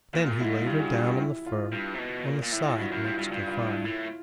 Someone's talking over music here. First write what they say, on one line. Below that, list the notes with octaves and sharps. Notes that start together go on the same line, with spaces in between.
Then he laid her down on the fur, on the side next the fire.
A#2 F4
F4
G#2 E4
F4
G2 F4 G4
F#4 G#4
F4 G4
E4 F#4
E4
F4
G2
C3
B2
A#2
A#2
A2 E4
F4
G2 E4 F#4
F#2 E4
G2 F4
G2 E4
G2 F4
F4
E4
A2